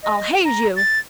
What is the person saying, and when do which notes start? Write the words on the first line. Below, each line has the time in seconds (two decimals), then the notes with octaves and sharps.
I'll haze you!
0.03 D#5
0.45 A#5
0.76 A6